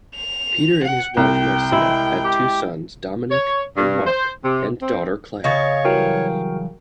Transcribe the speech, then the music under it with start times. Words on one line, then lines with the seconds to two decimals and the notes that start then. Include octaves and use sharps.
Petre and his wife Marcia had two sons Dominic and Mark and daughter Clare.
0.15 F7
0.84 F#5
1.17 C2 G5
1.72 G#3 E4
2.24 G4
3.31 C#5
3.76 G2
4.06 C5
4.44 C3
4.82 C4
5.44 C#3 C#5 D#5 F5 C#6 A6
5.85 E3 F#3 G3 F#4 A#4 G5